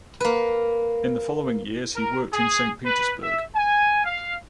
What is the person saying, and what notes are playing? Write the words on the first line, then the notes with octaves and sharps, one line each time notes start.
In the following years he worked in Saint Petersburg.
A#3 B4
A#4
G#4
B4
E5
G#5
F5